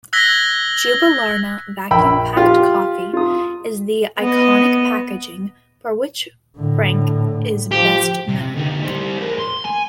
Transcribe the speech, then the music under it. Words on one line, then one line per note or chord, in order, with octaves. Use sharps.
Jubilarna vacuum-packed coffee is the iconic packaging for which Franck is best known.
E6 F#6 G#6 A#6 B6 G7
A#1 G5 B5 E6
F4 G4
F4 D#6
B3 D#5
A2 D3
F3 G4
C3
D2 D#4
G3 C5
A#4 C5
C6
G#5